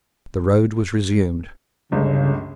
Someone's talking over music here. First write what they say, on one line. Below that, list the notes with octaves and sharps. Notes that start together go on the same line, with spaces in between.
The road was resumed.
G1 C#2 C#3